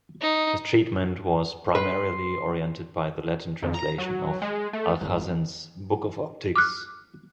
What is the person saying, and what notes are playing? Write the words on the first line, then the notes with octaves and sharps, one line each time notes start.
His treatment was primarily oriented by the Latin translation of Alhazen's "Book of Optics".
D#4
B4 C6
F2
A#5
F#3
G#3
A3
G#1
D6 F6 F#6